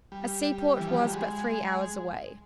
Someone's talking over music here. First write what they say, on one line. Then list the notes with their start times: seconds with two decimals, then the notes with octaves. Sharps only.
A seaport was but three hours away.
0.12 G3
0.79 E3
0.87 F3
0.96 F#3
1.04 G3
1.13 G#3